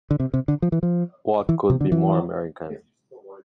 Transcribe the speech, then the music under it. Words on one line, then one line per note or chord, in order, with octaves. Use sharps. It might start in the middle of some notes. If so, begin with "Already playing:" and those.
What could be more American!
D3
C3
C3
D3
F3
E3
F3
E3
C3
D3
E3